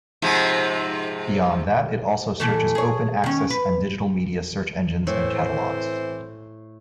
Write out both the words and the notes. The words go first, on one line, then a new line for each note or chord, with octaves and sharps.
Beyond that it also searches open access and digital media search engines and catalogs.
G#2 C3 F3
A#2 E3 A3
G#4 C#5
D#3 C#4
B4
A2 E3 C4 C5